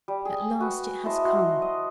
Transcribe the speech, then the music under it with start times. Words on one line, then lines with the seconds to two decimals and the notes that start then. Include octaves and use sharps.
"At last, it has come!"
0.08 G3
0.25 G#4
0.60 F#4 B4
1.05 E4 C5 D#5 A5
1.24 F#4 F#5 C6
1.62 D#5